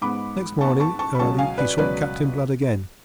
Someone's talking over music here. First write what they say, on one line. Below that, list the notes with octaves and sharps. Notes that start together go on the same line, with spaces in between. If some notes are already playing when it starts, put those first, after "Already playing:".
Next morning early he sought Captain Blood again.
G#2 G#3 B3 B5 D6
G#2 G#3 B3 A5 C#6
A5 C#6
A5 C#6
B5
C#2 B2 F#3 C#4 A5 C#6
F5 G#5
B4 D5
C#2 B2 F#3 C#4 B4 D5